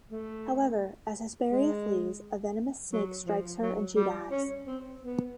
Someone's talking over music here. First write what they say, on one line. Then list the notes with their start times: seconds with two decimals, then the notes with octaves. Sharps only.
However, as Hesperia flees a venomous snake strikes her and she dies.
0.11 A3
1.51 G#3
2.92 F#3
3.26 F3
3.62 F#3
3.96 G3
4.31 C#4
4.67 C4
5.02 B3